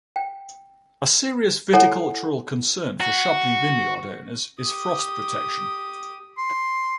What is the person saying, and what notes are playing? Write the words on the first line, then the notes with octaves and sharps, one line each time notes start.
A serious viticultural concern for Chablis vineyard owners is frost protection.
G5
E4 A4 C#5 F#5 G#5 A#5
F#4
G4 D#6
C6